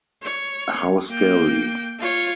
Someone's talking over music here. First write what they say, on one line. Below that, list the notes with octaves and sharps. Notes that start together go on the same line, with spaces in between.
How scary!
C#5
A#3 G5
F4 C#5